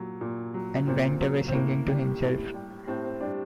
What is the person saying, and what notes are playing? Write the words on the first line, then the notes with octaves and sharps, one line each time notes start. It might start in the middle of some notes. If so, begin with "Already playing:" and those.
And went away singing to himself.
Already playing: A#2 F#3
A#2
F#3
A#2 C4
F#3
C4
A2 A#3
G3
A2
G3
A2 C4
C4
G3 D4